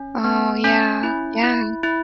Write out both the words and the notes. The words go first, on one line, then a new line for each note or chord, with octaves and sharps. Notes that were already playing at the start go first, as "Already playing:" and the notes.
Oh, yeah, yeah.
Already playing: C#4
B3
C#4
E4
E4
E4